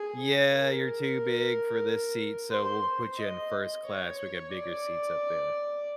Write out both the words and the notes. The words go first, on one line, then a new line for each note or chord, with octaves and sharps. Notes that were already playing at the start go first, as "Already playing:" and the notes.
"Yeah, you're too big for this seat, so we'll put you in a first class, we got bigger seats up there."
Already playing: G#4
A#4
C5
D#5
C#5
C#5
D5